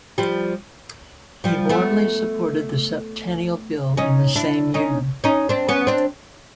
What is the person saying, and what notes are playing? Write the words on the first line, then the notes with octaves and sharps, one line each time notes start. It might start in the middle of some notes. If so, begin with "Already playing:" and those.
He warmly supported the Septennial Bill in the same year.
F3 G3
F3 G3
A3 B3
C#4 D#4
D4 E4
C#4 D#4
C#4 D#4
C4 D4
B3 C#4
C4 D4